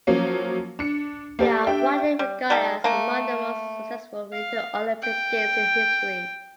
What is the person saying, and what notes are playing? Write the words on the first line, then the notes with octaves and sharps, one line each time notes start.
They are widely regarded as among the most successful winter Olympic Games in history.
F3 F#3 A#3 C#4
D4 C#7
A#3 G4 A4 D5
D4 G4 E5 G5
G3
G3 D#4 A4
A3 A#3
F5
G5